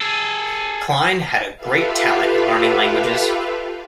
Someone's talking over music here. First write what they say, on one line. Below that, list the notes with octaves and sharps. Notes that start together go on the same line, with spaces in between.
Klein had a great talent in learning languages.
G#4 A4
F4 G4 A4 B4 E5 F5